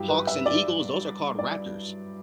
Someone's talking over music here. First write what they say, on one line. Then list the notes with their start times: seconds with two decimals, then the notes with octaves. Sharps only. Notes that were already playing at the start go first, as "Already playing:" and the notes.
hawks and eagles, those are called raptors.
Already playing: G2 F#3 E4 G4
0.08 B4
0.27 E5
0.46 D5
1.39 D5